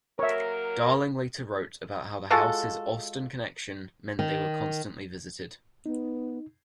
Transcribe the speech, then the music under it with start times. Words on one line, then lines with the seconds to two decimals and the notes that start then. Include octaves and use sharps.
Darling later wrote about how the house's Austen connection meant they were constantly visited.
0.19 F#3 A#3 A#4 C#5 E5
2.30 G#3 F4 F#4 A4
4.19 D#3
5.86 B3 D#4